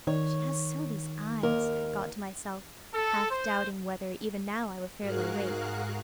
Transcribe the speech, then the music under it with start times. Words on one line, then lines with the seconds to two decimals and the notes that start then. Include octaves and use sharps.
"She has Sylvie's eyes!" I thought to myself, half-doubting whether, even now, I were fairly awake.
0.07 D#3 C#5
1.43 D#2 A#4
2.94 A4
3.30 C5
4.99 G#2 F#4 G#4 A#4 F5 F#6